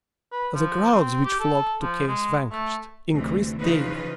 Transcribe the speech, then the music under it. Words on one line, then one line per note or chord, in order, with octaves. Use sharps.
The crowds which flocked to "Chaos Vanquished" increased daily.
B4
F3
C4
G4
A4
F3
G#3
A3
D2 C3 E3
C#3 E3 F3 D#4 F4 B4